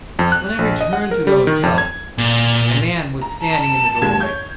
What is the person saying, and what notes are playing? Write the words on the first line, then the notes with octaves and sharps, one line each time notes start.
When I returned to the hotel, a man was standing in the doorway.
F2
F#6
A#1
D#5
F#5
A#4
G3
D#3
F2
G#6
A#2
A#5
A5
D#2 G#3 G#6
C#5 G6